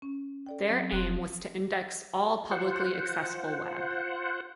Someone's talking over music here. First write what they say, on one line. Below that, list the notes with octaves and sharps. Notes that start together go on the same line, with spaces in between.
Their aim was to index all the publicly accessible web.
C#4
A4 D5 G5
F#3 C4
F1 C6 F#6
F4 C5 F#5